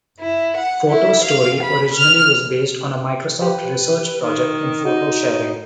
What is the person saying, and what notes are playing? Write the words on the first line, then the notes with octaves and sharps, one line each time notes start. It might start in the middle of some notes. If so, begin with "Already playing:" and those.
Photo Story originally was based on a Microsoft Research project in photo sharing.
E4
F#5
E4
F5
B5
F6
G4 B4
D#3
D#4 F#4